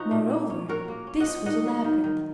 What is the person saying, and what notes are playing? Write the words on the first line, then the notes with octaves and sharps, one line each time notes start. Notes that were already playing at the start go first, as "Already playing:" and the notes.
Moreover, this was a labyrinth.
Already playing: F3 D#4 F#4
A#2
A#3
C#4
C#4 F#4 A#4
A#3
C#4
D#5 F#5
F3
D#3 D#5 F#5
F#3
D#3
D#3